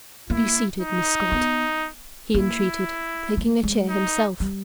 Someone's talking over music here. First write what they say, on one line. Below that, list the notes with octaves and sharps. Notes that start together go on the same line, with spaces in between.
"Be seated, Miss Scott," he entreated, taking a chair himself.
A#3 E4
D#4
B3
A#3 E4
A3
G#3
D#4
G3